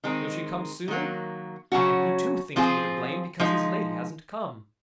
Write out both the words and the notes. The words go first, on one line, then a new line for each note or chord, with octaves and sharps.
Will she come soon?' And he, too, thinks me to blame because his lady hasn't come.
D#3 G#3 C4 D#4
D#3 F#3 A#3
C#3 F#3 C#4 F#4
F3 C4 F4 G#4
F3 G#3 D#4